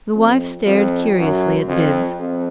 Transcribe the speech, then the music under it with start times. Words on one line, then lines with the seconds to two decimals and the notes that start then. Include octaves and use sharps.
The wife stared curiously at Bibbs.
0.15 F2
0.66 F2
1.18 F#2
1.68 F2
2.20 F2